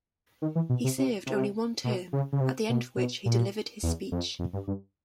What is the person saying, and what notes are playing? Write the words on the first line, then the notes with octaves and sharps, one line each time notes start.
He served only one term, at the end of which he delivered his speech.
D#3
E3
B2
C3
C3
C3
B2
C#3
C#3
C3
B2
B2
A#2
E2
F2
F2
G2
G2